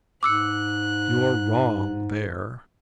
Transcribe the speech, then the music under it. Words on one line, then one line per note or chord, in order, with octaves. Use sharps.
"You are wrong there."
G#2 D6 E6 F#6 C#7